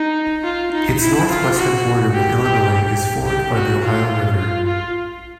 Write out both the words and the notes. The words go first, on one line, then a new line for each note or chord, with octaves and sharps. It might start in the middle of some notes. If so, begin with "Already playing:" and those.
Its northwestern border with Illinois is formed by the Ohio River.
Already playing: D#4
F4
D#4
E4
F4
F#4
G4
G4
G4
G4
F#4
F4
F4
F4